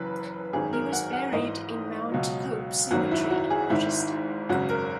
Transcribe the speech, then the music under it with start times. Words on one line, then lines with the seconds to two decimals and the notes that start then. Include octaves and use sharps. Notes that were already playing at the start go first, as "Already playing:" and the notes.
He was buried in Mount Hope Cemetery in Rochester.
Already playing: F#1 F#2 E3 B4
0.53 G#1 F#2 D#3 F#3 G#4
0.73 A#4
0.93 F#5
1.13 F#5
1.32 G#1 G#2 E3 D#5
2.12 C#2 B2 F#3
2.91 G#1 F#2 D#3 F#3 F#4
3.11 E4
3.30 F#4
3.50 G#4
3.70 G#1 G#2 D#3 E4
4.49 G#1 F#2 C#3 F#4
4.69 A#4